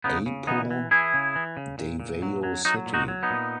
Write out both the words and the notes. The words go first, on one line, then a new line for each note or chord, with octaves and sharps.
Apo, Davao City.
C#3 B3 D#4
C#3
E3 B3 D#4
E3
E3 E4 G#4
C#3
E3
C#3
A#2
A#2
F#3
F#3
F#3 D#4 F#4
A#2
D#4 F#4
F#3
B3 D#4
A#2